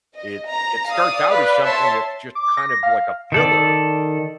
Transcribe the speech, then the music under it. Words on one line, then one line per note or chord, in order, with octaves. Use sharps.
it it starts out as something that's just kind of like a filler,
D#5
A#5
D5 F5 D#6
B4
C#5 E5 A5 C6
D6
A#6
F5
D#3 A4 D5